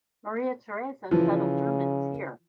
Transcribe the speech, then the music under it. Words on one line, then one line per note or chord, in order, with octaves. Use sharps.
Maria Theresa settled Germans here.
C#3 E3 F3